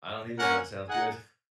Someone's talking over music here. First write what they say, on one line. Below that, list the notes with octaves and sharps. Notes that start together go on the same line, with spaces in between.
I don't either, but it sounds good.
A#3 C#4 A#4 F#5
D#4 G#4 F#5